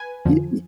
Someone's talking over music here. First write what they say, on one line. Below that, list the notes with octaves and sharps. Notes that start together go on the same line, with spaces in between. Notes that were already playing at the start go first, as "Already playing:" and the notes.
Y y
Already playing: B4 G#5
F2 D3 F3